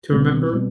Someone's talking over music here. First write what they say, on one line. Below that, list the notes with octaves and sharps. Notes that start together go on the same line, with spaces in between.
to remember,
C2 B2 G3 C4
B2 G3 C4